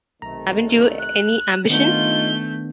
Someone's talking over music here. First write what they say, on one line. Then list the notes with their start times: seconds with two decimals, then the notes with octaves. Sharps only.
Haven't you any ambition?
0.22 B1 C3 D#3 A3 A#5
0.99 F#6
1.70 D#3 A3 B3 D4 D#4 F4 G6 G7